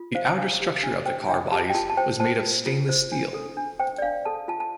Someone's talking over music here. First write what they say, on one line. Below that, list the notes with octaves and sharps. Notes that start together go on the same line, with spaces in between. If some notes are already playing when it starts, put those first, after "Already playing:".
The outer structure of the car bodies was made of stainless steel.
Already playing: F4
C5 F5
D4 F5
G4
D4
C5 G5
D4 G5
G4 A5
G5
F4 A5
A5
C5 G5
C5 A5
F4
F4
C5
D4
A4
D4
C5 G5
D5
D4 F5
A4 A5
F4 A5
A5